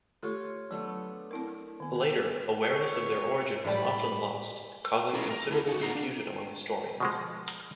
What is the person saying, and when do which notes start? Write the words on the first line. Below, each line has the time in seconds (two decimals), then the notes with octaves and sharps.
Later, awareness of their origin was often lost, causing considerable confusion among historians.
0.23 A3 F4 G4 A4 C#5
0.71 F#3 A3 B3 D4
1.31 C4 E4 A#4
1.80 D#3 B3
2.68 C#5
3.65 A2 G3 A5 B5
5.13 C#4 E4 G#4 A4 A#5
5.31 A#4
5.49 D2 E4 A5
5.67 D#4 F#4
5.80 B3 D#4 F5 F#5 A#5
5.95 D4
7.00 B2 F3 G#3